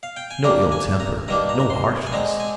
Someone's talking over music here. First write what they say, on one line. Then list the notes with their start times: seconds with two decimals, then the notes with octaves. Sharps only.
No ill-temper, no harshness.
0.03 F5
0.17 G5
0.31 G#5
0.44 C3 G3 A#3 D4 A#5
0.72 G#5
1.00 A#5
1.28 G2 D#3 G3 A#3 D4 A#5
1.49 A#5
1.60 A#5
1.70 C6
2.06 G#5
2.12 D3 G#3 C4 A#5
2.40 G#5